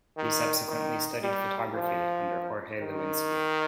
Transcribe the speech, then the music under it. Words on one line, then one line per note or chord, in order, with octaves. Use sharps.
He subsequently studied photography under Jorge Lewinski.
D#3
D#3
G3
F3
D#3